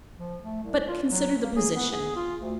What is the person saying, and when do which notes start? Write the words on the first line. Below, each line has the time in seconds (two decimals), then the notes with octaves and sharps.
But consider the position.
0.17 F3
0.43 A3
0.63 C2
0.87 F4
1.09 F#3
1.42 A#3
1.56 G#4
1.75 B3
1.92 G#4
2.16 F4
2.42 D2